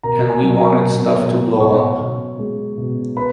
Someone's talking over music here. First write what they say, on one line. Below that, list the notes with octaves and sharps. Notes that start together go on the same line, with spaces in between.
And we wanted stuff to blow up.
B2 A#4 A#5
G#5
F#3
G#5
A#4 A#5
B2
B2
B2 C#5 C#6
B2
G#3
B2
B4 B5